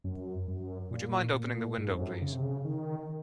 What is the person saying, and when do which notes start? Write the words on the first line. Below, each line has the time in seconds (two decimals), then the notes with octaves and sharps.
Would you mind opening the window, please?
0.04 F#2
0.48 F#2
0.91 A#2
1.34 A#2
1.78 G#2
1.91 F2
1.99 F#2
2.22 C#3
2.32 C3
2.42 C#3
2.65 D#3